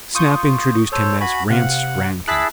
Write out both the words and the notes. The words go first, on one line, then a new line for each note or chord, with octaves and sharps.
Snap introduced him as Rance Rankin.
F4 C#6 D#6 G6
A4 C5 C#5
F#4 G#5 B5
C3 F5 F#5
E4 G#4 A5 F#6 A6 B6